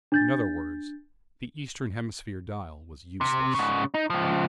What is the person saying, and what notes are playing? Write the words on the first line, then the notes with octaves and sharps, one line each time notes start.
In other words, the eastern hemisphere dial was useless.
D4 G6 A6
C3
G#2 C#3
D#4
C#2 F3